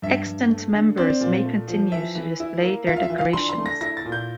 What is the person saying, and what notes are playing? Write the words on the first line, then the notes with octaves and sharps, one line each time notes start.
Extant members may continue to display their decorations.
G2 E5
G2
A3
D3
C4 D5
A#2
A3
F3
E3 E5
E3
E4
A#3
F4 E5
F5
E5
E3
F5
D4 C6
C6
A3
A#6
E4 A#6
A6
A#2
G6